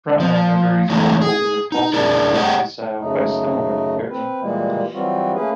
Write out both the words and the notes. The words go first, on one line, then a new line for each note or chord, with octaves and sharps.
Frontman Augeri's vocal work also retains a style quite similar to Perry.
F3
E3 F#3 G#3 A3 D#4
G#4
D#4
D4 E4 G#4 A#4
G4 G#4 C#5 D#5 F#5 G5
F#2 C#3 A3 D#4
C4 B4
A#2 E3 G3 G#3 A#3
E3 F#3 G3 C4 F4 F#4
A3 A#3 C#4 G#4 B4